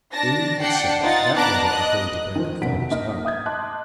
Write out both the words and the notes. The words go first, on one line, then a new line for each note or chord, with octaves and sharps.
In itself that wasn't a thing to break her father's heart.
D4 A5 A#6
D4 F#5 G5 C7 C#7
D#4 F4 F#5 A6
B3 D4 A5 A#5 D6 F#6
D#5 F#6
D#3 F3
F1 B1 F#2 F#5 B6 D7
A#3 D#4 D#5 F6
E5 D#6 G6 G#6
D#5 A5 C6 D6 F#6